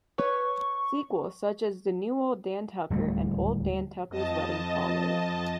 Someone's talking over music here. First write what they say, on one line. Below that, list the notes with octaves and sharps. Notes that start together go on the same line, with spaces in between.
Sequels such as "De New Ole Dan Tucker" and "Old Dan Tucker's Wedding" followed.
B4 C#5 C#6
D1 D#2 G3 A3
F2 D#5 A5